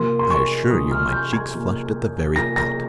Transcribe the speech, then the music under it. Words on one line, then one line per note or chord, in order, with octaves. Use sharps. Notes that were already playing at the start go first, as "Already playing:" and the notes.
I assure you my cheeks flushed at the very thought.
Already playing: C3 F3 A#3 C6
C6
C#6
C3 F3 A#3 D#6
F6
G6
G#6
C3 F3 A#3
C3 F3 A#3 A#6
A#6